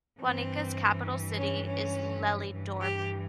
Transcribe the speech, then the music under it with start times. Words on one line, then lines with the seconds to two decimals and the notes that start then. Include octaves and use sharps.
Wanica's capital city is Lelydorp.
0.21 G2 E3 C4
1.37 C#4
1.65 C#4
2.52 G2 E3
2.81 G4